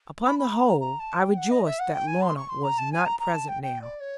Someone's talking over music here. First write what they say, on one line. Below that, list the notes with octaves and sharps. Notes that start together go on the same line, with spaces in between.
Upon the whole, I rejoiced that Lorna was not present now.
B5
B5
A#5
A#5
A#5
A5
G5
F#5
D#5
E5
F#5
G5
G#5
C6
C#6
C6
A#5
A5
G#5
A#5
A#5
A5
G5
G5
D5
C#5